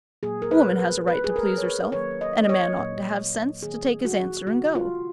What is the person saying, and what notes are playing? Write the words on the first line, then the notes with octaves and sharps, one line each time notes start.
A woman has a right to please herself, and a man ought to have sense to take his answer and go.
A#2 F#3 A#3 G#4
A#4
B4
B4
A#2 G#3 B4
G#4
A#4
C#5
B4
D#3 F#3 A#3 C#5
D#5
D#5
C#5
A#2 F#3 A#3
D#3 A#3 G#4
F#4
C#3 G#3 F#4
F4